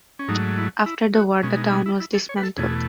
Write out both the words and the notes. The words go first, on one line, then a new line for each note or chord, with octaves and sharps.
After the war, the town was dismantled.
C#4
G#2 F#3 A3 D#4
E4
E4
F#4
B2 G#3 C#4
D#4
D#4
E4
E4
A4
C#5
B4
A4
E2 B2 A3 G#4